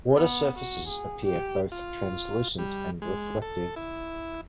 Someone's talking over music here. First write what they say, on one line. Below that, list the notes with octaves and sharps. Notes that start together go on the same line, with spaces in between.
Water surfaces appear both translucent and reflective.
B3
F#4
G#4
G4
F4
G3
G#3
A4
E4